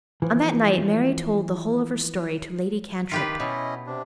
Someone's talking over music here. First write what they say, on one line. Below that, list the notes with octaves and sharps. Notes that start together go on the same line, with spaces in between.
On that night Mary told the whole of her story to Lady Cantrip.
E3 F3
D#3 F4 G4 B4
B2 C#4 E4 D#5
C3 D4